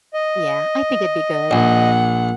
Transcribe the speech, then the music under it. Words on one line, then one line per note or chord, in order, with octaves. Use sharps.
Yeah, I think it'd be good.
D#5
A#1 F#5